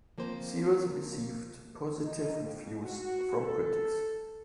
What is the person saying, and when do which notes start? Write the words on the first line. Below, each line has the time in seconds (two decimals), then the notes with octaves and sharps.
The series receive positive reviews from critics.
0.18 F3 A#3 C4 C5
2.01 D#4
2.42 F2
2.82 F#4
3.39 A4